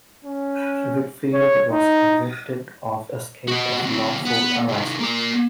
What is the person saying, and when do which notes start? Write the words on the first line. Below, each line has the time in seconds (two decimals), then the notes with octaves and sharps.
Whitfield was convicted of escape of lawful arrest.
0.25 C#4
1.34 C#5
1.71 D#4
3.48 F#4 D#5
3.82 D2 C4
4.25 B3
4.68 C3 D#3
5.00 A#3 D5